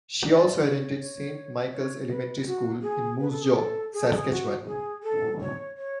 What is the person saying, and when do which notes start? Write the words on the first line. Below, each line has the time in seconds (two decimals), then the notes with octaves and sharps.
She also attended Saint Michael's elementary school in Moose Jaw, Saskatchewan.
0.24 D5
0.61 C#5
0.98 C#5
1.73 C#5
2.09 B4
2.46 F#4
2.82 G#4
3.20 B4
3.31 A4
3.43 G#4
3.55 A4
3.93 G#4
4.04 A4
4.15 G#4
4.30 F#4
4.67 G#4
5.03 A4
5.41 C#5
5.77 C#5